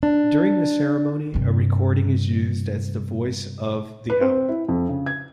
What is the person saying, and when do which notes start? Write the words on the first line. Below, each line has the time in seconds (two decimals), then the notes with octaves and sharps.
During the ceremony, a recording is used as the voice of The Owl.
0.03 D4
1.34 G2 C3
4.10 B4
4.21 C4
4.49 E4
4.68 F2
4.89 C#3
5.06 G#6